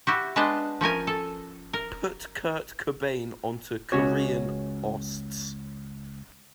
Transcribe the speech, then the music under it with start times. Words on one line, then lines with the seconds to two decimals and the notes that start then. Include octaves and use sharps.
Put Kurt Cobain onto korean osts.
0.07 E4 F#4 G4
0.36 G#3 B3 D4 B4 C5
0.81 F3 C#4 A#4 G#5
1.07 A4
1.73 A#4
3.92 C#2 C#4 F#4 C#5